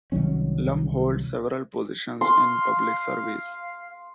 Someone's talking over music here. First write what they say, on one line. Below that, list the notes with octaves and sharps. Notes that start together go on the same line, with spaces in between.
Lum holds several positions in public service.
C2 D#3 F#3 C#4
F5 C6